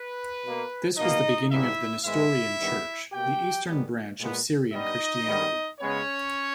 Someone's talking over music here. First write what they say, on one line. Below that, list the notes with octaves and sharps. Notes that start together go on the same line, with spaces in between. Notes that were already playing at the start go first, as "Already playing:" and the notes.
This was the beginning of the Nestorian Church, the eastern branch of Syrian Christianity.
Already playing: B4
B2 A#3
B2 A#3 D#4 D#5
G#2 G3 A#3 E4 E5
G#2 D#3 G#3 B3 E4 E5
G2 D#3 G3 B3
B2 A#3 G4 G5
G#2 D#3 G3 B3
A#2 G#3 B3
G2 G3 B3 D#4 D#5
G#2 D#3 G3 B3
C#3 G#3 B3 C#4 C#5